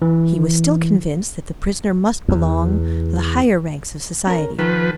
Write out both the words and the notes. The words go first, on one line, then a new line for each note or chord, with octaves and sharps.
He was still convinced that the prisoner must belong to the higher ranks of society.
E3
E2
C#4 A#4
D#3 F3 A4 B4